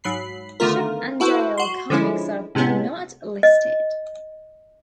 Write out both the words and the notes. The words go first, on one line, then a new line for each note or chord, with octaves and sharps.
Chip and Dale comics are not listed.
G#2 F#3 B5 C7
D3 D#3 A3 B3 F4 A#4
E4 F#4 A4 B4 C5
F#4 C6
D3 F3 G#3 C#4 E4
A2 C3 G#3 B3 C#4
D#5